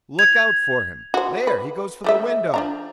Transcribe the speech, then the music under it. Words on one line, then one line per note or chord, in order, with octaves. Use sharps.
"Look out for him--there he goes for the window."
G#6 F7
F#4 C5
B4
F3 A3 E5
F3 D4 A#5